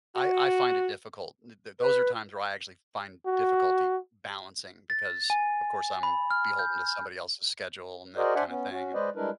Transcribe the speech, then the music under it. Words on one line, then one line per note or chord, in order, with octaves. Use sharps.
I I I find it difficult. Th th those are times where I actually find difficulty balancing because, of course, I'm beholden to somebody else's schedule, and that kinda thing, and
F#4
B4
F#4
A6
G#5
B5
F6
G6
F#4 G#4 A#4 C5 D5 D#5
D4 C5 D5 E5 F#5 G#5
B3 C#4
C#4 F#4
G#3 B4 C5 D5 D#5
G3 G#3 D4 E4 A#4 B4